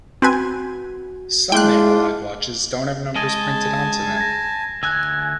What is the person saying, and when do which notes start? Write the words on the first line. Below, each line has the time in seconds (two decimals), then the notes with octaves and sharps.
Some Analog watches don't have numbers printed onto them.
0.22 C4 F#4 B4 G#5
1.52 G#3 D4 E4 F4 G5 F#6
3.16 G#3 D#5 G#5 A5
4.17 G#6 A#6
4.83 D2 G#5 E6 F#6 G#6